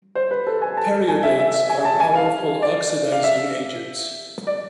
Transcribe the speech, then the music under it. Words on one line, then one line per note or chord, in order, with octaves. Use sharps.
Periodates are powerful oxidising agents.
C5
B4
A4
G#5
A5
G#5
E5
E5
E5
G#5
A5
G#5
F5
D5
F5
E5
D5